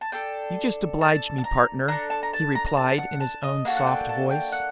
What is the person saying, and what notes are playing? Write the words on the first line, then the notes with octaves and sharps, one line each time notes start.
"You just oblige me, partner," he replied in his own soft voice.
A5
D4 A4 G5
A5
A5
A#5
D4 A4 A#5
A5
A#5
A5
A#5
A#5
A5
F#5
A5
D#5
A#3 D4 F#4 A4
F#5
G5
A5
G5
F#5